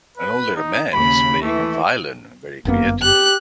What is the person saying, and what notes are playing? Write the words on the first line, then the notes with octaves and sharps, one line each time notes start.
An older man is playing a violin very creatively.
B4
D#4
D#2 C#3 B5
E3 A3
G1 F#2 A#3 B3
G4 F#6